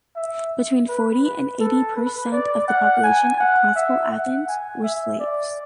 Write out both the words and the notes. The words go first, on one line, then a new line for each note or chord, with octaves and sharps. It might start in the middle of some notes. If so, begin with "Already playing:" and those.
Between forty and eighty per cent of the population of Classical Athens were slaves.
E5
B4
B4
A4
B4
D5
F#5
G#5
F#5
E5
F#5
G#5
E5
D5